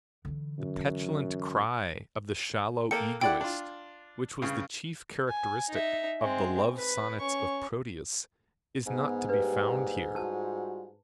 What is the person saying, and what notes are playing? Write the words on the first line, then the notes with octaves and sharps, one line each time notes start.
The petulant cry of the shallow egoist which was the chief characteristic of the Love Sonnets of Proteus is not to be found here.
D3 E3
F#2
A#3 A4 G5 C#7
E4 D5 F#5 G5 D7
D4 F4
G2 C#3
G#5
D#4 E5
G#3 C4
B4
C#4 C#6
G#2 B3
G3 A#3 D4 G4 B4
G3 F4 F#4 A5